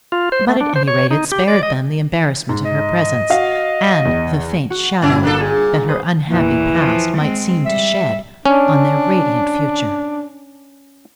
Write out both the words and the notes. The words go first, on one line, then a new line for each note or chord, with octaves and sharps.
But at any rate it spared them the embarrassment of her presence, and the faint shadow that her unhappy past might seem to shed on their radiant future.
F4
C5
A3
D4
C5
C#5
D#4
G4
D5
D#5
G#2
D#5
F#4 F5
E2
F#4
G1 C#4 E4
A#3 D4 A4
A#2 G#4
B4 C5 D#6
E2 A#2 E3
F3
G#3 C4
G3 E5
C#4 D4